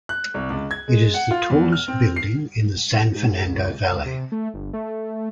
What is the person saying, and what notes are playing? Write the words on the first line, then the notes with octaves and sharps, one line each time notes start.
It is the tallest building in the San Fernando Valley.
F#6
C2
C#2
G#6
G#3
F#5
F4
E2
F6
C4
C7
G#2
C#2
C#2
C3
A3
G1
A3